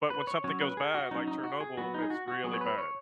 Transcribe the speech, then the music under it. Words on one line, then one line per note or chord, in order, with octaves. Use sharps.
But when something goes bad, like Chernobyl, it's really bad.
B4
C#5
F#3 C#4 C#5
B4
G#4
F#4
F#3 C#4 D#4
D#4
F#4
G#4
F#3 B3 F#4
D#4
G#4
F#4
F#4
F#3 B3 G#4
C#5
B4
C#5